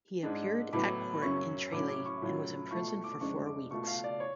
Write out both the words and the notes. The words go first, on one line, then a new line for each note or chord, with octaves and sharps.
He appeared at court in Tralee and was imprisoned for four weeks.
G#2 G#3 D4
A2 F#3 B3 D6
F#2 C#3 F#3 C#4 C#6
A2 F#3 C#4 D6
D6
C#6
A2 F#3 C#4 F4
B2 A3 F4 C#6
C#6
D6
F2 C#3 G#3 D4 C#6
D6
B2 A3 F4 C#6
F5
D5
C#5